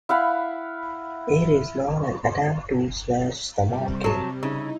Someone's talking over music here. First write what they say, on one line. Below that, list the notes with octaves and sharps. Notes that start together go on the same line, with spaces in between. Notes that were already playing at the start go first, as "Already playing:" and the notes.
It is not an attempt to smash the market.
E4 F5 F#5 B5
C3 G3
F#3 A5
C#3 D#4 E4